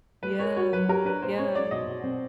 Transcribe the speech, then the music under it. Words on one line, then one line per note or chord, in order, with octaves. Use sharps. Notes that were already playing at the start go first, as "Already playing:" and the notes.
Yeah. Yeah.
A3 B4
A#4 C#5
F#4 C#5
F#3 B4
G4 A#4
D4 B4
A#2 C5
C#4 C#5
G#3 D5
B2 D#5
B2
C4